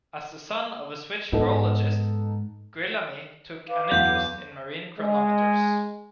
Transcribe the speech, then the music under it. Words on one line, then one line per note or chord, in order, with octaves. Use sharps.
As the son of a Swiss horologist Guillaume took an interest in marine chronometers.
G#2 B3 D#4 A4
B4 F5 D6
E2 F#3 F#5 G6
G#3